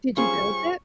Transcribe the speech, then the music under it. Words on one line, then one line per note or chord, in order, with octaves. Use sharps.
Did you build it?
G3 C#4 F4 G#4 C5 C#6